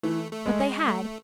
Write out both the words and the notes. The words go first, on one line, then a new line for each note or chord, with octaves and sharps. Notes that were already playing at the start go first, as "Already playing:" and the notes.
But they had.
E3 A3
A3
G#3
G#3
A3